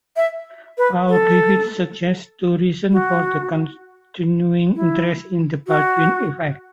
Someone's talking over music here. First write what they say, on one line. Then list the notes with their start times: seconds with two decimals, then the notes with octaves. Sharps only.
Paul Griffiths suggests two reasons for the continuing interest in the Baldwin effect.
0.17 E5
0.78 B4
1.09 A4
2.92 F#4
4.76 E4
5.67 F#4